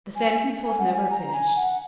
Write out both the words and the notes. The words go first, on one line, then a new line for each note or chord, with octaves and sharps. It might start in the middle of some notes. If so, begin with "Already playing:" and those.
The sentence was never finished.
G#5
G#5
F#5
G#5
A#5
G#5
F#5